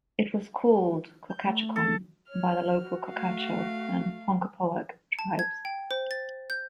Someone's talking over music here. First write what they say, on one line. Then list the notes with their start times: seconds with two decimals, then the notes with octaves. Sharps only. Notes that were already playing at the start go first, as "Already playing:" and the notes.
It was called Cochaticquom by the local Cochato and Ponkapoag tribes.
1.30 G6
1.47 A3
1.76 A4
2.29 C#5 F6
2.74 F#4
3.10 A3 F5
5.19 A5
5.39 G#6
5.65 G5
5.91 C5
6.11 A6
6.50 G6